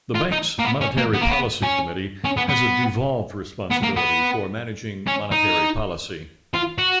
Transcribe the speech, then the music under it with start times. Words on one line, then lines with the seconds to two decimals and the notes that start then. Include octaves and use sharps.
The Bank's Monetary Policy Committee has a devolved responsibility for managing monetary policy.
0.15 F4
0.32 D#4
0.59 A#3
0.65 B3
0.81 C#4
0.97 A#3
1.14 B3
1.22 A#3
1.29 B3
1.63 C#4
2.24 C#4
2.37 B3
2.49 B3
3.71 B3
3.83 A#3
3.97 B3
5.07 C#4
5.31 D#4
6.54 F4
6.79 F#4